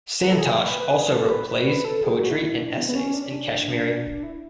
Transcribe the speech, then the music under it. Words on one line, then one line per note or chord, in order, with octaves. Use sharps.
Santosh also wrote plays, poetry and essays in Kashmiri.
B4
A4
G#4
B4
B4
B4
G#4
G#4
A4
B4
B4
B4
A4
G#4
F#4
E4
D4
B3
B3
C#4
D4
C#4
D4
E4